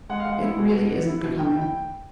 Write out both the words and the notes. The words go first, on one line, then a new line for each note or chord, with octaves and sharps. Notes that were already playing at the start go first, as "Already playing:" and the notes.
"It really isn't becoming."
G#3 F#5
F5
G#3 F#5
E4
B2
B3
B3
E4
B2
A3 G5
E4
G5